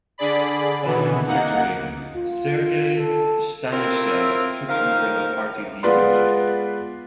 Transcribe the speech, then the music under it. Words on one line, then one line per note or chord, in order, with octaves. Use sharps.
Following his victory, Sergei Stanishev took over the party leadership.
D3 G#4 D5 B5
B2 E3 B3
A#3 D#4 F#5
F4
A4
C4 E4 F4 A#4
D#3 F3 A#4 F5
G#3 B3 F4 B4 D5 C6